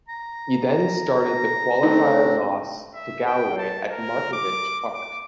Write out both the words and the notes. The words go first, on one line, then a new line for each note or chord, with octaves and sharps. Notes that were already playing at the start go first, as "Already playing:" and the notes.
He then started the qualifier loss to Galway at Markievicz Park.
A#5
A3 C4 D4 D#4
E5
G5
A5
A#4
D6
D6